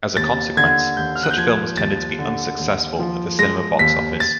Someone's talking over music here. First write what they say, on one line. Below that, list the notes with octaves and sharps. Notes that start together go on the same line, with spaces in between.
As a consequence, such films tended to be unsuccessful at the cinema box-office.
D#2 A6
D3 G#6
D#2 G6
F6
F#6
G6
F3 G#6
D#2 A6
D3
D#2
F3
G#3 A#6
D#2 B6
A6